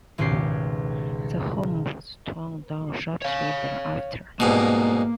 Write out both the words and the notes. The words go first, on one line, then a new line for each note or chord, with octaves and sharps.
The home was torn down shortly thereafter.
G#1 C#2 B2 C#4 G4 C7
C#5 F5
C2 G#2 B2 A#3